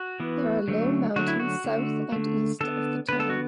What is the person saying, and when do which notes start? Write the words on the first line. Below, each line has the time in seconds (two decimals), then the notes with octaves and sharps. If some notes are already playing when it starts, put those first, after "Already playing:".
There are low mountains south and east of the town.
Already playing: F#4
0.20 E3 B3
0.68 D3 F#3 A3
1.16 D3 F#3 A3 F#4
1.28 E4
1.40 F#4
1.64 D3 A3
2.12 D3 A3
2.60 D3 B3 A4
3.09 D3 B3 B4
3.20 A4
3.30 F#4